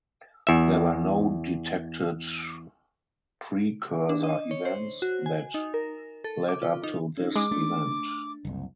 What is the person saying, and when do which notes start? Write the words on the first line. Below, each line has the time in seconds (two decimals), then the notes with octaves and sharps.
There were no detected precursor events that led up to this event.
0.47 E2 E5
4.09 D4
4.23 D#5
4.51 C#5
4.65 C5
5.02 F#4
5.26 G#5
5.54 D#4
5.74 A#4
6.24 A4
6.49 D6
6.62 F4
6.84 D#4
7.17 C#4 D#4
7.36 G#3 D6
7.51 A3 D4
8.45 F#1 C2